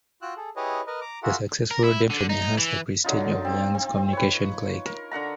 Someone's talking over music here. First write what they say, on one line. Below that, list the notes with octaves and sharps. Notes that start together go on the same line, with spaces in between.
The successful redemption enhanced the prestige of Liang's Communications Clique.
F4 F#4 G5 E6 F#6
G#4 A4
E4 G4 G#4 B4 C#5 D#5
A#4 B4 D#5
A#5 D6
F4 F#4 G#4 A#4 E5 F#5
A#4
E4
D3
D#4
E3
D3 F#3 D#4 F4
C4
C4
B4 C#5
A#4
D3 A#4 F#5 A#5